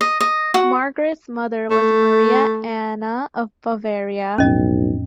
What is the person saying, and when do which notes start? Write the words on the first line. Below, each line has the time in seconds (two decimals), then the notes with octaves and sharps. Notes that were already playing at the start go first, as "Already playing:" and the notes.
Margaret's mother was Maria Anna of Bavaria.
0.01 D#5
0.21 D#5
0.54 F#4
1.70 A3
4.38 B1 F2 A2 C#4 D#5